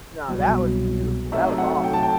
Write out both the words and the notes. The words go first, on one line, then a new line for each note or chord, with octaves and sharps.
No, that was beautiful, that was awesome.
C2 B2 F#3
C3 F#3 A3 D#4 A4 E5
F#5
G5
A5
G5